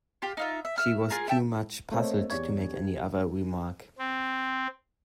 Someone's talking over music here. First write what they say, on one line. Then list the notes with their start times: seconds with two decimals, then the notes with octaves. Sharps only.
She was too much puzzled to make any other remark.
0.22 F4 G4
0.37 D#4 F4 E5
0.65 E5
0.78 E5 F6
1.10 F4 G#4 A#4
1.28 E5 G5 A5
1.91 A3 A#3 C4 C5 C#5 D#5
2.30 E2 G4 C#5 D5 C#6 G#6
2.72 G4
3.99 C4